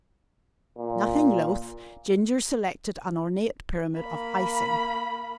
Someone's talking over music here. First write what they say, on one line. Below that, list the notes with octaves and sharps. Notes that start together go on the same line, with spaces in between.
Nothing loth, Ginger selected an ornate pyramid of icing.
A#2
A#3 B5